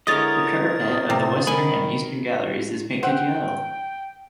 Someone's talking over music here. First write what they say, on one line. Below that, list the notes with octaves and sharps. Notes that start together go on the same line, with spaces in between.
The parapet of the western and eastern galleries is painted yellow.
D3 G#3 E4 A#4 C#5 D#5 D#6 A6
C3
D#3 G#5 B5
C5 E5 F#5 G5